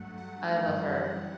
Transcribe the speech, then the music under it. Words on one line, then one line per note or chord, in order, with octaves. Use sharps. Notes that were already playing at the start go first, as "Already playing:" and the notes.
I love her.
Already playing: G2 F#3 A3 F#5
F#5
F#2 E3 G3